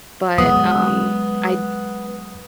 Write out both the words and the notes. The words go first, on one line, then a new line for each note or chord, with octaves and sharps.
but, um, I d
F#3 G#3 B3 D#6